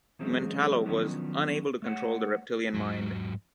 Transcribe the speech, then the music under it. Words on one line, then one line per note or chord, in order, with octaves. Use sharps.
Mentallo was unable to control the reptillian mind.
E3 F#3 G#3 C4 C#4
D#3 F3 F#3 B3 C#4 D4
A3 C#5 F#5
G#2 F#3